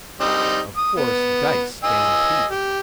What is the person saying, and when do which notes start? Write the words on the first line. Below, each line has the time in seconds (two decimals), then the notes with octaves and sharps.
Of course Geiss stampeded.
0.21 G3 C4 D#4
0.77 D#6
0.97 B3
1.84 D#5 G#5 E6
2.50 G4